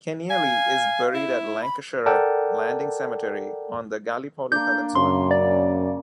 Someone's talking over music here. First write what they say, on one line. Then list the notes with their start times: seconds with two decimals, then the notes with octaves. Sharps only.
Kenealy is buried at Lancashire Landing Cemetery on the Gallipoli Peninsula.
0.30 F5 G#5
1.14 E4
1.62 B5
2.06 A4 A#4 D5 F#5 G5 A5
4.52 A#3 D4 G6
4.95 F#2 C#3 C6
5.31 D5